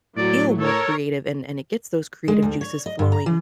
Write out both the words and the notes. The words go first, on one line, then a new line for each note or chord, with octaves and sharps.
feel more creative, and and it gets those creative juices flowing
A2 F#3 D5
A4 A#4 C#5
G#3
D2
C#5
D#5
G2
A#5
E3